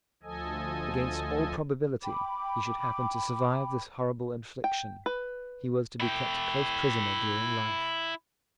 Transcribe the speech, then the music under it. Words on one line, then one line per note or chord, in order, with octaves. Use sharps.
If, against all probability, he should happen to survive this horrible infliction, he was to be kept close prisoner during life.
D2 F3 A4 D#5 G#5
G5 B5 D6
G5
B4
E4 G5